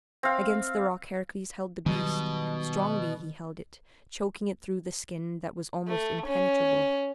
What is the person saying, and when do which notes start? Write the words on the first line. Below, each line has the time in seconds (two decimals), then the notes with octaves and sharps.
Against the rock Heracles held the beast; strongly he held it, choking it through the skin that was almost impenetrable.
0.23 C4 F5
1.86 B2 D#3 F#3 G3
5.88 A3
6.27 C#4